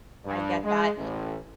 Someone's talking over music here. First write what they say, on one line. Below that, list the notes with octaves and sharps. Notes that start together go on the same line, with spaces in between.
I get that.
G2
G#3
A1